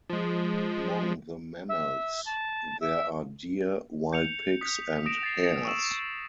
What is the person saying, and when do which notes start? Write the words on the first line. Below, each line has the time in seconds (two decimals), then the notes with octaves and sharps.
Among the mammals, there are deer, wild pigs and hares.
0.10 F3 G#3
1.69 E5
2.26 A5
2.81 E5
4.13 G6 C#7 F7
4.61 D#6 B6
5.06 D#6 A#6 D7 E7
5.23 A6 C7
5.65 C#6 D#6 E6 E7